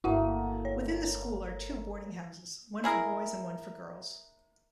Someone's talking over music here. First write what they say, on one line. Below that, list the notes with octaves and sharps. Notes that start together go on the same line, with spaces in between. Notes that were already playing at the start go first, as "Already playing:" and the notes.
Within the school are two boarding houses, one for boys and one for girls.
G1 A3 A#3 E4 F#4 F#5
C#5
E4 G#4 A#4